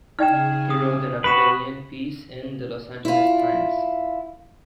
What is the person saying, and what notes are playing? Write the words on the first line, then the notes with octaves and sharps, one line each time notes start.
He wrote an opinion piece in the "Los Angeles Times".
C#3 D#4 G#4 D#5 G5 F6 G#6 E7
D#6
F#4 G4 B4 B5 B6 E7
E4 F4